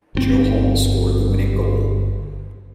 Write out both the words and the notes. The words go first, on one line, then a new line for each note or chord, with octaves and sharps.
Joe Hall scored the winning goal.
G1 D3 C4